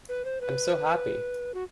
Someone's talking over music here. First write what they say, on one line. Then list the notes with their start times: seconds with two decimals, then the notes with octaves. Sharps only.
I’m so happy.
0.09 B4
0.25 C5
0.41 B4
1.54 F#4